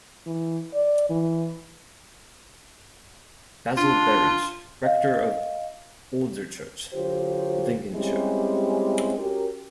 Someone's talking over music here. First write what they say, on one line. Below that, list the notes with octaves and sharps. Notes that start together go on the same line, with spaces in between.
Basil Berridge, rector of Alderchurch, Lincolnshire.
E3
D5
E3
D4 F4
D#5 F5
D3 F#3 F4 G4 C5
G3 G#3 C4 C#4 E4 G4
C#4 F#4 G4 A#4